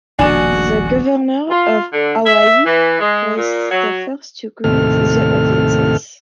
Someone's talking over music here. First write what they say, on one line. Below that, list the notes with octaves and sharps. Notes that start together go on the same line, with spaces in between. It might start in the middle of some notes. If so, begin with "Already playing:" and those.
The governor of Hawaii was the first to greet the audiences.
D#1 A#1 B2 D4 F#4 G#5 E7
F4
D3
E5
E3
G#3
A#2
F#3
D#2 A2 C3 A4 F6